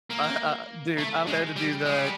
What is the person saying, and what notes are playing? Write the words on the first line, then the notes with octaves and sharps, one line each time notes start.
uh, uh dude, I've had to do that.
A#3
A3
G#3
G3
G#3
G3